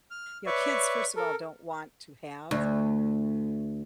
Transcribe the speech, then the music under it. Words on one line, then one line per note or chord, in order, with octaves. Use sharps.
You know, kids, first of all, don't want to have
F6
B4 C#5 D5 E5 C#6
A4 A#4
D2